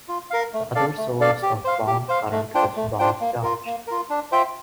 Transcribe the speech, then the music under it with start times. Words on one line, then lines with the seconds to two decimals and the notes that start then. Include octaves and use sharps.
The other source of bound current is bound charge.
0.08 F4
0.30 A#4 F5
0.53 A3
0.75 D4 A4 D5 F5
0.97 A3
1.20 D4 A4 D5 F5
1.43 G4
1.64 C5 F5
1.87 G4
2.09 C5 F5
2.31 A3
2.54 D4 F4 C5 G5
2.77 A3
2.99 D4 F4 C5 G5
3.21 A#3
3.43 F4 A#4
3.66 A#3
3.87 F4 A#4
4.10 D4
4.32 F4 C5 E5 G5